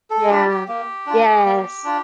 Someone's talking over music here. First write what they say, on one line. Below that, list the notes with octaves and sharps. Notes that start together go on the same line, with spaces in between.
Yeah. Yes.
A4
D4 F4 G4
G4
A#3 G4
D4 F4
A#3
D4 F4